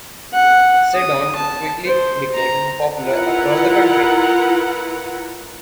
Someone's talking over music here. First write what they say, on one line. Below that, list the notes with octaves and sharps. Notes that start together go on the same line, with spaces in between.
Seddon quickly became popular across the country.
F#5
D#6
A5
C5
A#5
E4 F4 A#4 B4 F#5 A#5